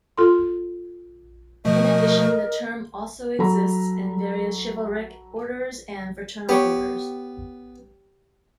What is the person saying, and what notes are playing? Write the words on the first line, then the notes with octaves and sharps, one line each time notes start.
In addition, the term also exists in various chivalric orders and fraternal orders.
F4 A4 C6
B2 F3 A3 A#4 D#5
F#3 A4 A#5 B5
B3 G4 C#5